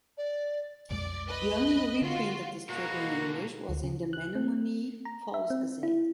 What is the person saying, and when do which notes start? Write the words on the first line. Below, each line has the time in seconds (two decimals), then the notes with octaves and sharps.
The only reprint of the strip in English was in "The Menomonee Falls Gazette".
0.17 D5
0.90 B1 F2 G#3 D5
1.27 B4 D#5
2.01 D3 F4 F#4
2.69 B2 G#3 A#3 F#4
3.69 D2
3.84 C#3
4.13 F#6
4.35 C4
5.05 A#5
5.34 E5
5.50 C4
5.83 E4